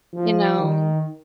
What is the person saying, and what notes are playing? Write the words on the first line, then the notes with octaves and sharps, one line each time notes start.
you know
F3
D#3